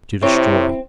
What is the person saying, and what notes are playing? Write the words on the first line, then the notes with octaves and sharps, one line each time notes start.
To destroy.
C3 C4 E4 C#5